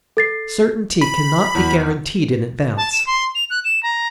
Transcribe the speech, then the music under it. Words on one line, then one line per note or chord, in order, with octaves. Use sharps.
Certainty cannot be guaranteed in advance.
A4 A6 C7
B5
E2
A5
E7
C6
F7
F#6
E7
A#5